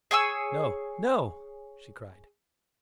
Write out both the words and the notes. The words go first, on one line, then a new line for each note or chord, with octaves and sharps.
"No, no," she cried.
G#4 C#5 G#5 E6